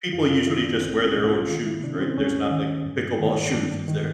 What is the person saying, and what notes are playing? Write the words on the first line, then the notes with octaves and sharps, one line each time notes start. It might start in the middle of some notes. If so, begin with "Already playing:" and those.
people usually just wear their own shoes, right? There's not, like, pickleball shoes, is there?
F#2 F4
F4
D#3 E4
D4
C2 C4
C#4
B2
F4
D#3 F4
E4
C3 D4
C#4
C4
D#2 C#4
D#3
G2
D#3
G2 D4
D#3